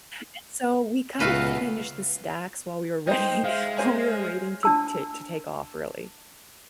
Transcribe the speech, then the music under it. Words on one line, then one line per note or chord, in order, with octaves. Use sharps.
and so we kind of finished the stacks while we were ready while we were waiting to to to take off really.
C#2 A#2 A3 B3 F#4 B4 E5 F5
D#4 C5 D#5 G5
G#3 E5 F5 F6
C5 C#5 G#5
D4 A5 E6